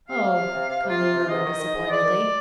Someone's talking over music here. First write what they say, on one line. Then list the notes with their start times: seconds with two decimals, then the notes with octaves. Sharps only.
"Oh!" Conny murmured disappointedly.
0.09 C3 F5
0.23 C3
0.39 C3
0.54 C3
0.69 C3 F5
0.83 C3
0.89 F4
0.99 C3
1.14 C3
1.29 G#2 D#5
1.45 D#3
1.60 D#3
1.74 G#2
1.90 G#3 D5
2.05 D#3